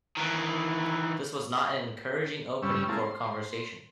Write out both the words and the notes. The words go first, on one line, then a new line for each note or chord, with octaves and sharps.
This was not an encouraging opening for a conversation.
D#3 E3
G2 C#3 G3 C#4 E6
G#3 A#3 C4 E4 F4 A5
C6